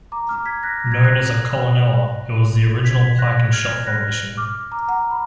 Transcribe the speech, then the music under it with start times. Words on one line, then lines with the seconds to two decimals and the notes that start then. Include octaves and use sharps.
Known as a "colunella", it was the original pike and shot formation.
0.12 A#5 D6
0.29 D6 F6
0.46 G#6 B6
0.63 F#6 A#6
0.80 A#6
0.92 G#6
1.05 F#6 A#6
2.84 G#6 B6
3.19 F#6 A#6
3.53 F6 G#6
3.86 F#6 A#6
4.37 D6 F6
4.72 A#5 D6
4.88 F#5 A#5
5.11 B5